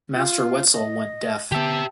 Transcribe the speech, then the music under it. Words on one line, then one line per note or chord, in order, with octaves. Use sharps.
Master Wetzel went deaf.
F4
D#5
D3 B3 G4 E5 A5